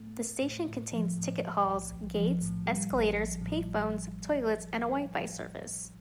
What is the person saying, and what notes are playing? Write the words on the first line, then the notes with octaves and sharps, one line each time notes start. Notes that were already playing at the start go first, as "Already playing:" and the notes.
The station contains ticket halls, gates, escalators, payphones, toilets and a Wifi service.
Already playing: A2 A3
A3
A2
A2
F3
A2
A2
B1
B1
F3
A2
G3
A1
A1
A2